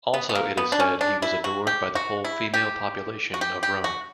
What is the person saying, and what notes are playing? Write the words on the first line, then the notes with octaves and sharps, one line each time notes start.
Also, it is said he was adored by the whole female population of Rome.
B3
B3
A#3
B3
D4
C#4
D4
E4
F#4
G4
F#4
E4
G4
F#4
G4
G4
F#4